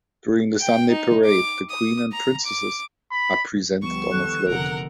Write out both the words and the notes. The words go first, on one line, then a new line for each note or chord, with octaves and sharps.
During the Sunday parade, the queen and princesses are presented on a float.
G5
D#4
D6
D#6
A#5
D6
B5
D2 F3 G3 B3 C#6 E7
D#3 A4 F#6
F1 D3 A#4 F#5